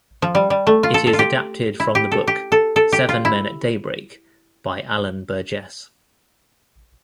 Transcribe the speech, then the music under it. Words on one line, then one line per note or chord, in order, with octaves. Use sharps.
It is adapted from the book "Seven Men at Daybreak" by Alan Burgess.
F3
G3
G3
A3
F4
A4
A4
F4
G4
E4
G4
A4
G4
A4
A4
G4
F4
E4